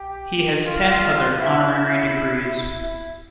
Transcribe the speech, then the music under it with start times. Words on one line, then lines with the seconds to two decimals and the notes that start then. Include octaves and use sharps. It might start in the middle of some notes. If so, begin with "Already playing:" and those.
He has ten other honorary degrees.
Already playing: G4
0.66 F4
1.38 E4
1.73 E4
2.44 E4
2.79 E4